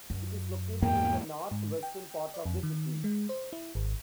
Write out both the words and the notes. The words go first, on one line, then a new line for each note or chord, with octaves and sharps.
It is located in the north-western part of the city.
F#2
E2 G#2 A#3 G5
G#2
G5
D5
F2
D#3
G#3
C5
E4
G#1